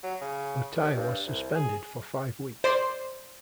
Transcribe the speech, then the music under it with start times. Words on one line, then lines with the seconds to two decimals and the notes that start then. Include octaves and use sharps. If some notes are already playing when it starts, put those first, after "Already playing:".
Utai was suspended for five weeks.
0.03 F#3
0.21 C#3
0.81 D#2
0.97 G2
1.26 C2
1.55 G#4
2.64 C5 D5 C6